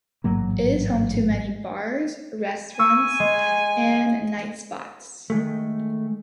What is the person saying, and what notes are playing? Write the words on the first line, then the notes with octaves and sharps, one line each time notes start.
It is home to many bars, restaurants, and night spots.
A1 G#2 F#3 A#3
G#5 C#6 E6
G#3
D#3 G#3 A3